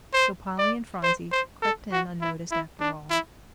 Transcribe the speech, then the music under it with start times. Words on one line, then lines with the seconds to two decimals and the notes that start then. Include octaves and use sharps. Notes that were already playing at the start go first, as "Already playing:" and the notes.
So Polly and Phronsie crept in unnoticed after all.
0.13 C5
0.58 D5
1.03 C5
1.32 C5
1.62 A4
1.92 F#4
2.21 E4
2.51 E4
2.80 D4
3.10 E4